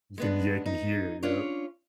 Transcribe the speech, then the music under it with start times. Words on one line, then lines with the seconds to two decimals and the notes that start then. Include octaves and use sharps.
you can yeah, I can hear it, yup.
0.18 G#3 B3 D4
0.66 D#4
1.23 C#4 D4 F4 C#5